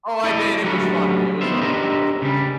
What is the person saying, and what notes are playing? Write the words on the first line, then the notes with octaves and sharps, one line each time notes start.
Oh, I did it was funny, it was funny for the both of us.
E4 A4 D5 D#5
F#3 G3 A3 C#4 D4 F#4
B3 D#4 F4 C5 E5
D4 G4 A#4 C5 D#5 E5
C#3 G3